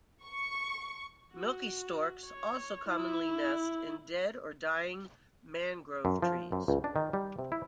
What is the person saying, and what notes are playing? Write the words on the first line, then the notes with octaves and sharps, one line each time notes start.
Milky storks also commonly nest in dead or dying mangrove trees.
C#6
F#4
C#5
E4
F#2
F3
F#2
C#2
D4
D#3
G3
C3
E4